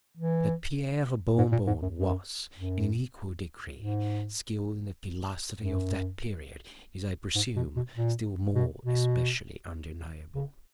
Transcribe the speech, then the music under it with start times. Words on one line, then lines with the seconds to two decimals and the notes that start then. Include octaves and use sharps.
That Pierre Bon-Bon was, in an equal degree, skilled in the philosophy of that period is, I presume, still more especially undeniable.
0.17 E3
1.38 G#2
1.52 A#2
1.67 G#2
1.82 F#2
1.96 F#2
2.57 F#2
3.76 G#2
5.56 F#2
7.35 G#2
7.56 B2
7.76 B2
7.95 A#2
8.55 B2
8.85 B2
10.35 C#3